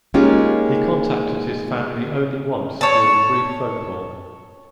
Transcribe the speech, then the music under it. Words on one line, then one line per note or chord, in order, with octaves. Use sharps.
He contacted his family only once during a brief phone call.
G#3 A#3 C#4 D#4 F4 G4
C#5 A5